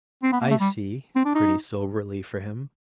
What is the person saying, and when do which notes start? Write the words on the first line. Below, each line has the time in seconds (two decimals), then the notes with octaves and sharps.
"I see," pretty soberly, for him.
0.23 C4
0.32 B3
0.41 A#3
0.50 A3
0.60 G3
1.16 C4
1.25 D4
1.35 D#4